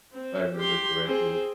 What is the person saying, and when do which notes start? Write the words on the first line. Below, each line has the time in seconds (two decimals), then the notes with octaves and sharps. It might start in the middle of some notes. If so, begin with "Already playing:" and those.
I remember correctly.
0.12 C4
0.56 G4 C6
1.05 C4 G#4